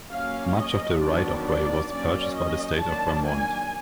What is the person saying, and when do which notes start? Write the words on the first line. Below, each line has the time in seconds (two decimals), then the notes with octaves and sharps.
Much of the right-of-way was purchased by the State of Vermont.
0.11 F#3 A#3 C#4 F5
0.56 D#5
1.01 D#3 F#3 B3 D4 D5
1.46 D5
1.91 F#3 A#3 C#4 D5
2.36 D#5
2.81 D#3 F#3 A#3 D4 A5
3.26 G#5